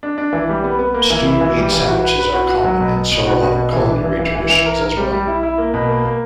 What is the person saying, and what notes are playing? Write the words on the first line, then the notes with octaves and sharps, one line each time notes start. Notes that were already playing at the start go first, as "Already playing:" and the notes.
Stewed meat sandwiches are common in several other culinary traditions as well.
D4
D4
E3
G3
B3
B3
A#3
E3
E4
E3
G3
E3
F#4
B4
B4
F#4
F#4
F#3
B2
B2
B2
F#4
B2
B2
E3
D4
E3
E3
E3
E3
A#4
A#4
G3
G3
E4
E4
A#3
B2
A#3
A#3